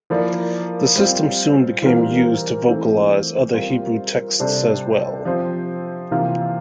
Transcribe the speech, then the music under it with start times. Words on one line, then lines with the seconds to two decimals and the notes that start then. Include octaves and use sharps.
The system soon became used to vocalize other Hebrew texts as well.
0.10 F3 A#3 E4 A#4 D5
0.96 G3 C4 F4
1.82 E3 G3 C4 F4 A#4
2.68 E3 A3 C4
3.54 G3 C4 F4 A#4
4.40 C3 G3 D4 A4 C5
5.25 F3 C4 G4 C5
6.11 C3 E3 A#3 F4